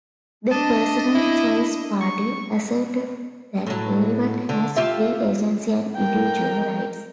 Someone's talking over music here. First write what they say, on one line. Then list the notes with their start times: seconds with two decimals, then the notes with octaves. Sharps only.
The Personal Choice Party asserted that everyone has free agency and individual rights.
0.51 D4 D#5 A5
1.15 E4
2.01 C#6
3.67 A2 F#3
4.49 D3
4.76 F4 G4 E5
5.96 A#4 G5